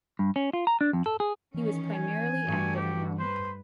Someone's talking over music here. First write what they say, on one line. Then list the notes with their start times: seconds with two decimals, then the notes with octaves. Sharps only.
He was primarily active in Rome.
0.19 G2
0.36 C#4
0.53 F4
0.67 A#5
0.81 D4
0.93 F2
1.06 A4
1.20 G#4
1.54 D#3 E3 C#4
1.94 G#5
2.45 G2 A3 F#4
2.76 G4
3.19 B4 C5